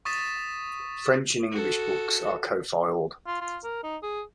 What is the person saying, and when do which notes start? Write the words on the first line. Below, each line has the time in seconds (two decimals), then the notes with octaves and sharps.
French and English books are co-filed.
0.05 C#6 D#6 A6 B6 E7
1.51 F#4 A4
3.27 F4
3.41 F4
3.64 A#4
3.83 D#4
4.03 G#4